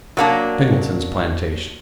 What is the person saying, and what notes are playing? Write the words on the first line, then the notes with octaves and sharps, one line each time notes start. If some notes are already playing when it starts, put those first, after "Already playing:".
Singleton's plantation.
F#3 A#3 D4